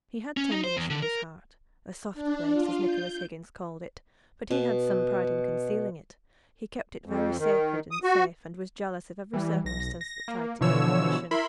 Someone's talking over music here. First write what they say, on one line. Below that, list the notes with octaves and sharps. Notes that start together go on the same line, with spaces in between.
He had tenderness in his heart--'a soft place,' as Nicholas Higgins called it; but he had some pride in concealing it; he kept it very sacred and safe, and was jealous of every circumstance that tried to gain admission.
C#4
D#4
C5
E2
D3
A#4
D4
F4
G6
B2
F2
D#3
D#6
F#4
E3 G3
B1 A#6
A#6
A#3
B2 D3 E3 F3 C#5 E6
E4 A#4 E5 B5 C6